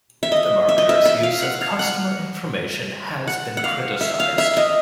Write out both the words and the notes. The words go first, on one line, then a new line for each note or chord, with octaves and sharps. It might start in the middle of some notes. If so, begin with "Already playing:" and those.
The marketers' use of customer information has been criticized.
E5
D#5
E5
D#5
E5
E5
F5
F#5
F5
F#5
F#5
F#5
F5
E5
F5
E5
D#5